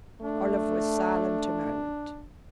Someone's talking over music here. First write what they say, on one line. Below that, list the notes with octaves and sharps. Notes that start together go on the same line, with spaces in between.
Olive was silent a moment.
A3 D4